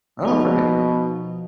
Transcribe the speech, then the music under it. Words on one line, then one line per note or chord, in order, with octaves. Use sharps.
Oh, great.
B2 F3 D#4